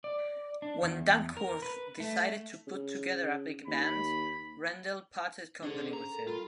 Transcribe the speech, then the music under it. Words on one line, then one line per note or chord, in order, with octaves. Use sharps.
When Dankworth decided to put together a big band, Rendell parted company with him.
D5
D4
E2
A#4
B4
A3
C#3
D#2 B5
C#4 D4 G#4 A4 C5
A#5
A4 A#4
G3 F4 B5